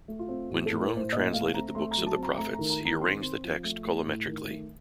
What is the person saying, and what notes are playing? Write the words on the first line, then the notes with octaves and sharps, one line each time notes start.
When Jerome translated the books of the Prophets, he arranged the text colometrically.
A3
F4
C4
A2 F#4
A4
A2
A#4
A2 C5
A#2 D#5
A3 F5
C4 A#5
A3 C6
A#5
F#3
A5
C4
A#5
A3 A#5
D#3 A#5
A#5
D#3 A#5
C4 C6
C4
F3
A3
A3
A2
D#3
A3